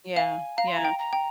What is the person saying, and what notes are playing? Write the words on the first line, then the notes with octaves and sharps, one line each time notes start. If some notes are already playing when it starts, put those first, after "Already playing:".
Yeah. Yeah.
F5 G#5
F5 A#5
C6
A#5
G5
A#5
G5